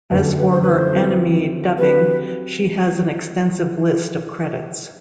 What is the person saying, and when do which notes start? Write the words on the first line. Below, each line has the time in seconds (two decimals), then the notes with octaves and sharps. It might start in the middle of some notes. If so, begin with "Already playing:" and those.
As for her anime dubbing, she has an extensive list of credits.
0.10 F#2 D3 A3 B4
0.24 A4
0.38 B4
0.51 C5
0.62 B4
0.73 C5
0.94 F#3 C4 E4 B4
1.77 F#3 C4 G4 B4